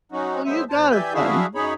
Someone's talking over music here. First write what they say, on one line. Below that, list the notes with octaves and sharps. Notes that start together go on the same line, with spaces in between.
Oh, you got it then.
F#3 C#4 D#4 F#4
F#3 G#3 B3 C5 E5
E2 C5 A5
E3 G4 D5 E5 G#5 G6
D4 E4 F#4 G#4 E5 F5
F#2 D#4 G#4 C#5 B5